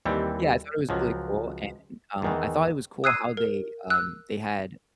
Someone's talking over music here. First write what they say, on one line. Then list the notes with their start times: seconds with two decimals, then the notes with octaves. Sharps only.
Yeah, I thought it was really cool, and, um, I thought it was cool how they, um, they had, uh,
0.05 D#2 E3 G3 C4
0.89 C#2 F3 F#3
2.22 E2 D#3 E3
3.04 D#6 E6 F#6 G#6 C7 D#7
3.37 A#4
3.90 E6 F#6